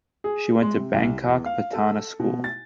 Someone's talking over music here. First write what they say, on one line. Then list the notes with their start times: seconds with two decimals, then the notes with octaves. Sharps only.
She went to Bangkok Patana School.
0.24 G#4
0.62 G#3
0.74 C3
0.94 C2
1.27 E2
1.46 F5
1.73 A4
2.19 B2
2.44 A6